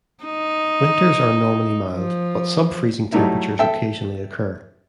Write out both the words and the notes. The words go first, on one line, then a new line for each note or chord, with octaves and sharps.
Winters are normally mild but subfreezing temperatures occasionally occur.
D#4
F3
F#3 G3 A3 D#4 E4
A4 E5 G5